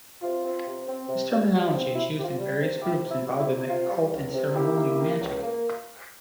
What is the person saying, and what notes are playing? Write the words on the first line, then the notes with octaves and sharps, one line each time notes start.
This terminology is used in various groups involved in the occult and ceremonial magic.
C3 F4
C4
C3
C4
C3
G3
G3
C4
C3 E4
C3 G4
F4
G3
C3
C3 E4 G4
C3
E4
G3
E4
C3
C3 F4
G3
C#2
C3
A#3 E4 G4
A#3
A#3
C#2
A#3